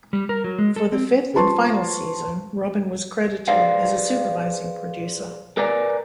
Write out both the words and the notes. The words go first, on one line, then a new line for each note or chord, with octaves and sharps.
For the fifth and final season Robin was credited as a supervising producer.
G3
A#4
F#3
G#3
A4
C4
F4 B4 C5 A5 C6 C#6
G#4 B4 C5 D5 F5
A#4 B4 D5 G#5 A#5